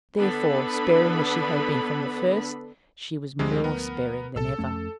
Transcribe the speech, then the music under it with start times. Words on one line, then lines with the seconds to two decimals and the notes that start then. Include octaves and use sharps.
Therefore, sparing as she had been from the first, she was more sparing than ever.
0.19 D3 B3 D4 A4 B4 B5
3.39 D2 G2 C3 F3 G#3
3.64 B3 A#4
4.36 C2 A#2 A4 E6
4.59 F2 A3 C#4